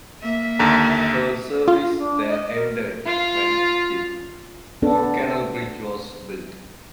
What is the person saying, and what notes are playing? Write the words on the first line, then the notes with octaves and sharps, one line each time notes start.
Her service there ended when the Hood Canal Bridge was built.
A#3 E5
D#2 D3 A#5
F4 F5
D4
D#5
A#4
F4 F5
B3 D4 A4